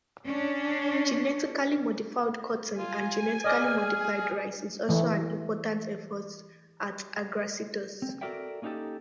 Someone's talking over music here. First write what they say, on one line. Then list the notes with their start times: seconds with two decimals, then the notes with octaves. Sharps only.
Genetically modified cotton and genetically modified rice is also an important effort at Agracetus.
0.24 C#4 D4
2.79 F4 G#5
3.44 G#4 D5 D#5 F6
4.89 E3 A3
8.02 C4
8.21 F#4 A4 A#4 D5 E5 G5
8.62 A#3 C#4 D#4 F#4 G4 A4